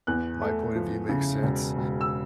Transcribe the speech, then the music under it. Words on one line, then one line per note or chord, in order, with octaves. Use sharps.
my point of view makes sense?”
E2 F#6
A3
F3
C#3
E1
E1
E6